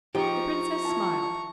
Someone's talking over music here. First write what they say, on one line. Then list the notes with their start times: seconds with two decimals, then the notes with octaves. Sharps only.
The princess smiled.
0.15 F3 D#4 G4 G#4 A#5 C#6
0.85 E4 F4 A5